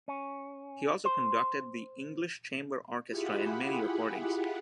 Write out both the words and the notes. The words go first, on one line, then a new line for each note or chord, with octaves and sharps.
He also conducted the English Chamber Orchestra in many recordings.
C#4
C5
E4 F4 G4 G#4 F#5 B5